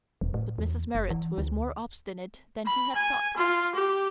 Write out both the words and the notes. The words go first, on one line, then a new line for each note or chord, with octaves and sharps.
But Mrs. Merrit was more obstinate than he had thought.
E1
A2
E2
F#1
E3
D2
B5
G#5
F4
G4